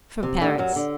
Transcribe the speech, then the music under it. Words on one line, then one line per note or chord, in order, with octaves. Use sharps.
"From Paris."
C3
D2 D3
F#2 F#3
D3